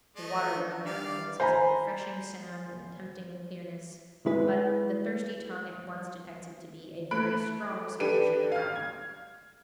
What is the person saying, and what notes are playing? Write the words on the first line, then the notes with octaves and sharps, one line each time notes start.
The water running down the hills has a refreshing sound and a tempting clearness, but the thirsty tongue at once detects it to be a very strong solution of alum.
A3 D#5
D4
G3 D5 F5
C5 G#5 A#5 B5
G#3 E4 G#4 B4
A3 B5 F#6 D7
D4 G4 A4 B4 D#7
F5 F6
G#6